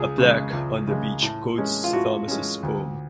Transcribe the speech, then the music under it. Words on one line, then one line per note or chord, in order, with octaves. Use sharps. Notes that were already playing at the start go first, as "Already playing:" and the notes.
A plaque on the bench quotes Thomas's poem.
Already playing: C#2 G#4
C#3 G#3
C#2
C#3 G#3
A2
G#3 C#4
F4
A2 F#4
G#3 C#4
D2